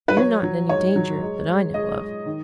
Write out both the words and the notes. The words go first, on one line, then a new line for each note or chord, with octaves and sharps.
"You're not in any danger that I know of."
B4
F#3 C#5
F#3
G#2 C#5
F#3
G#3
G#3
G#3 D#5
G#3
D#3